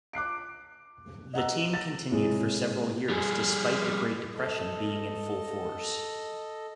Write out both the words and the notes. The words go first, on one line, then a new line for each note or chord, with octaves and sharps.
The team continued for several years despite the great depression being in full force.
D6 F#6 C7 D7
D#5 F#5 A#5 E6
A6 A#6
A2 C3 G#3
G3 G#4
A4 D#5